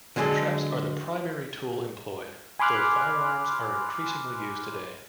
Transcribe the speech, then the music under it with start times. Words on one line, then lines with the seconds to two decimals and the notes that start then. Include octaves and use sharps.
Traps are the primary tool employed, though firearms are increasingly used today.
0.16 D3 F#3 G#3 B3 G#4 A4
2.59 G#5 B5 C6 D6 F6 F#6